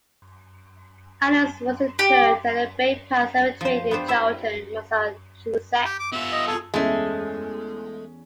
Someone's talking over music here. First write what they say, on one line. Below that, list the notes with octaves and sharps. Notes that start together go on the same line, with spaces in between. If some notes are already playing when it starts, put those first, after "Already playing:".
Adams was interred at the Bay Path Cemetery in Charlton, Massachusetts.
G4
F3 C5
B3 D4 G4 C5
E4 E5
G4
D6
B3 F4 E5
D#5
G#4 A4
E2 G#3 A3 C#4